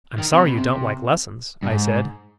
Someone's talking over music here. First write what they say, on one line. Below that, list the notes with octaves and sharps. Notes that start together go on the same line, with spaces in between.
"I'm sorry you don't like lessons," I said.
D#3
C3
B2
C3
G2
G#2